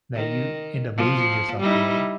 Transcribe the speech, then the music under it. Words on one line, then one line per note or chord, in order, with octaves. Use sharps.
that you end up losing yourself a little.
D#3
F3
G3 D#4 E4